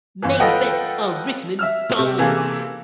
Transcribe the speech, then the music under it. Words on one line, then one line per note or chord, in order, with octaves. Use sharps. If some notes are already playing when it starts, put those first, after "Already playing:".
Main events are written in bold.
G1 E3
F4 A4 B4 D#5 F#5 G5
E5 E6 F6
C3
C3 E3 A#3 G#4 A4